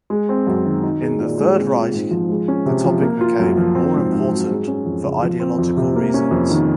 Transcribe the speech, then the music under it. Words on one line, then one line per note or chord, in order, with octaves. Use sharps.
In the Third Reich the topic became more important for ideological reasons.
G#3
C4
F#2
D#3
D#4
G#4
A#2
G#3
C4
F4
G#2
F3
G#3
C#4
C3
F3
A#3
F4
F#2
F3
C4
G#2
G#2
F#3
G#3
C#4
F2
C#3
F3
C4
F2
C3
A#3
C#4
F2
D#3